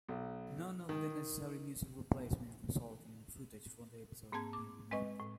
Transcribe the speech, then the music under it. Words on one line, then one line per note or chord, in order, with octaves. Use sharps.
None of the necessary music replacements resulted in footage from the episodes being removed.
B1
D#3
G#2 A#3 C4 A5 G#6
D6
G#3 C4 B4 D#5 C#6
A2